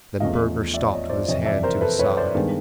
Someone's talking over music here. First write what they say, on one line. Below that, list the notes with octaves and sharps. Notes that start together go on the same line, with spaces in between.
Then Burger stopped with his hand to his side.
E2 C#3 F3 A3 D#5 F5
D5 E5
C#5 D#5
C5 D5
F2 C3 E3 C#5 D#5
D5 E5
A#4 C5
A4 B4
B4 C#5
C5 D5
G2 D#3 G#3 B3